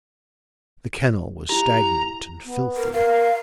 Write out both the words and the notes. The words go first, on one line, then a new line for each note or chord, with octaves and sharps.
The kennel was stagnant and filthy.
E4 G4 A#5
B3
A#4
A#4 F5